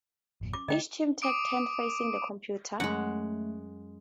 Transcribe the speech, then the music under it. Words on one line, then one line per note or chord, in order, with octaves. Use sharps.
Each team takes turns facing the computer.
G#1 F2 A#2
C#4 D6
D3 A3 D#5 G5
D6 D#6 D7
F#2 G#3 A3 F#5